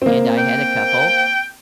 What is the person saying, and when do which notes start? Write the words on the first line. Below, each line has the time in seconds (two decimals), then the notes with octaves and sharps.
and I had a couple,
0.02 A#3 C4
0.38 G5